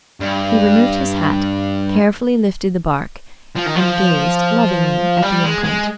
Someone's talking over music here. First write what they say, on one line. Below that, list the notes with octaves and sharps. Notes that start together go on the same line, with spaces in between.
He removed his hat, carefully lifted the bark, and gazed lovingly at the imprint.
G2
F3
D#3
F3
G3
G#3
G#3